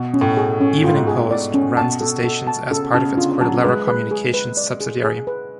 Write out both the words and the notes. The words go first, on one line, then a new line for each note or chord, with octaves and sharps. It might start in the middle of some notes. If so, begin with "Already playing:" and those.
Evening Post runs the stations as part of its Cordillera Communications subsidiary.
Already playing: B2
C#4
A2
G#4
C#4
A2 F4
G#2
A2 G#4
D5
C#4
B2 A5
A4
A4
A5
C#3 A4
C#3 A5
D3 F4
F#3 A5
G#3 B4
B4
G#4
B4
D5
G#4
G#4
B4